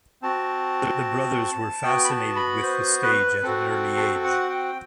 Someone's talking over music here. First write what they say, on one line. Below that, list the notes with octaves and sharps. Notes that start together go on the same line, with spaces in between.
The brothers were fascinated with the stage at an early age.
C4 F#4 A5
B3 F#4 G5
B5
A5
B5
C5
B4
C4 F#4 A4
A4
A4
A4
F#5
G5